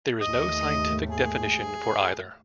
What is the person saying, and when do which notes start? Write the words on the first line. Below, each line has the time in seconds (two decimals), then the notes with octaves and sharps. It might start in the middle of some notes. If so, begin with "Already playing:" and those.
There is no scientific definition for either.
0.21 D#2 G#2 A3 D#5
1.09 G#4